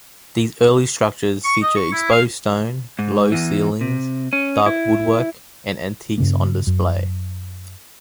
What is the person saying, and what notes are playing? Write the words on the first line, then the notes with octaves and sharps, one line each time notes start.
These early structures feature exposed stone, low ceilings, dark woodwork, and antiques on display.
C#6
D#5
C#6
E4
F5
G#2
E2 E3
C3
C#4
E4
G2 C#3 A#3
F#2